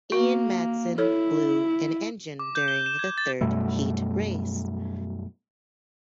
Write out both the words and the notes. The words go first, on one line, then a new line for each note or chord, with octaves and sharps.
Ian Madsen blew an engine during the third heat race.
A#3 F#4
E4 A4 C#5
D6
G6
G7
E7
G#6
A6
F#2 B2 G3 A3